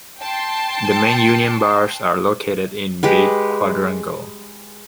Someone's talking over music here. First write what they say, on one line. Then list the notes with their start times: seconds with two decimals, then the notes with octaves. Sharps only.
The main Union bars are located in Beit Quadrangle.
0.19 G5 A5 C6
3.03 G#3 G4 B4